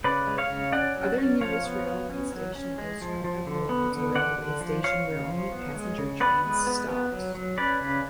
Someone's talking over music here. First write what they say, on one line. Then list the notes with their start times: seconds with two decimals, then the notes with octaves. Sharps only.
Other nearest Railway Station is Kurabalakota Railway Station where only Passenger trains stops.
0.04 C#3 B4 D5
0.27 G#3
0.38 C#5 F5
0.50 C#3
0.72 C#4 D5 F#5
0.95 F#3
1.18 C#4
1.41 F3 C#5 F5
1.64 B3
1.87 B3
2.09 C#4
2.32 F#3
2.55 C#4
2.78 G#3
3.01 F3
3.24 F3
3.47 D3
3.69 B3
3.92 D3
4.15 D3 D5 F#5
4.38 D3
4.61 F3
4.84 F3 C#5 F5
5.07 C#3
5.30 F3
5.52 B3
5.75 G#3
5.98 C#3
6.20 B3 B4 D5
6.43 G#3
6.67 B3
6.89 B3
7.12 F#3
7.35 F#3
7.58 C#4 B4 D5
7.81 C#3